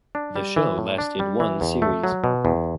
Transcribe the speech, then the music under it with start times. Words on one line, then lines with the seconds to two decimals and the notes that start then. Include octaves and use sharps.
The show lasted one series.
0.15 D4
0.36 G3
0.56 E3
0.78 A2
0.98 D4
1.19 G3
1.40 E3
1.61 E2
1.82 A3
2.04 F#3
2.24 B2
2.45 E2